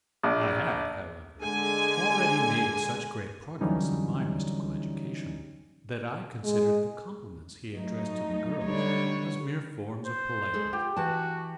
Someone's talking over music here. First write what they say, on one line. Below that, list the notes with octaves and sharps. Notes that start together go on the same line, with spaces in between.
I had, however, already made such great progress in my mystical education, that I considered the compliments he addressed to the girls as mere forms of politeness.
A#1
D3 G#3 G#5
D3 E3 F#3 G3 C#4 D#4
G#3
F#3 A3 D#4
D3 G3 C#5
C5
G#3 G#4 A4
F4 G4
E3 F#4 A5